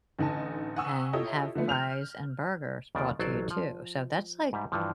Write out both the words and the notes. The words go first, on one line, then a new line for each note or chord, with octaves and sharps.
and have fries, and burgers brought to you too. So that's, like,
A1 D3 D#4 G#5 A5
F#5 G#5 C#6 D#6 E6
E4 F4 G4 A4 C#5 D#5
D3 F3 A3 B3
F6 G6 F7
D#2 C#3 F3 D5
A1 F#3 A4 C5 D5
F3
G#2 G3 E5
G2 E3 F3